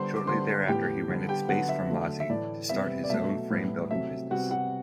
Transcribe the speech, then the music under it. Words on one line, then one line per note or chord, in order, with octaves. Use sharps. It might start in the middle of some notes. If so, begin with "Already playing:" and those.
Shortly thereafter he rented space from Masi to start his own frame-building business.
Already playing: D3 G3 B3 C5 C6
D6
D3 G3 B3 C5 C6
A2 E3 B3 G4 G5
D3 G3 B3
G4 G5
D3 F#3 B3 F#4 F#5
E5
D3 F#3 A3
E5
A2 E3 A3 D5
C3 G3 B3 E5
D5
B2 F#3 A3 E5
A2 G3 B3
C3 F#3 A3 E5
C3 G3 B3 F#4 F#5
F#4 F#5